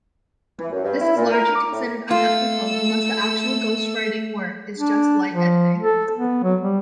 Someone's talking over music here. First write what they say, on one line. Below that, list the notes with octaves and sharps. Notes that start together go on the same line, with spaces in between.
This is largely considered unethical unless the actual ghostwriting work is just light editing.
E3
F#2
G2
E4
A#2
A#4
D6
A2
A3 F4 A4 E6
D4
F3
A4
B3
F#3
G3